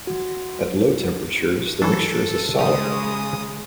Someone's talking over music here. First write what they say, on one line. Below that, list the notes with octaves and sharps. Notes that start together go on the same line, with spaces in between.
At low temperatures, the mixture is a solid.
F#4
E3 F#3 D4 A4
C#3 G#3 G4 A#5 D#6